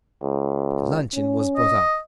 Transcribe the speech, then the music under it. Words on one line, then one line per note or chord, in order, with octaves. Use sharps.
Luncheon was brought up.
C#2
C#4
D#5